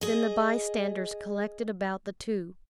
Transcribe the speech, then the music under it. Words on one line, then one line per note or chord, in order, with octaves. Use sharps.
Then the bystanders collected about the two.
G#4 D#5